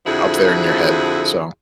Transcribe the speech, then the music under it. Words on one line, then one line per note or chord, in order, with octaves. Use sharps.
up there in your head. So,
F2 D3 F3 E4 F#4 G#4